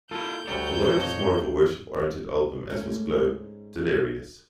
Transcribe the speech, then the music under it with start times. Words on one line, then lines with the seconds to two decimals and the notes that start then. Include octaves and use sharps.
Although it is more of a worship-oriented album as was "Glo", Delirious?
0.11 A#3 E4 F4 A4 G6
0.47 D2 G3 C#5 D5 A#5
0.96 F2
2.70 G#2 A3 C#4